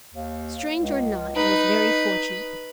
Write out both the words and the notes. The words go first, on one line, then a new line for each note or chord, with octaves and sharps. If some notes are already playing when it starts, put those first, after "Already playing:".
Strange or not, it was very fortunate.
D#2
C#2
D#4 B4